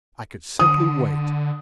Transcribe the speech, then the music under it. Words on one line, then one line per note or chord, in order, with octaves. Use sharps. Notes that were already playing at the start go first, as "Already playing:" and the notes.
I could simply wait.
D3 D#6